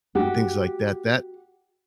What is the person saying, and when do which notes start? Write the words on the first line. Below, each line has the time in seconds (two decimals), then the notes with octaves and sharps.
things like that, that
0.15 F#4 G4